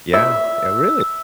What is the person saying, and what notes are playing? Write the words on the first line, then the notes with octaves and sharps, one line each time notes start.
Yeah, yeah, really,
E5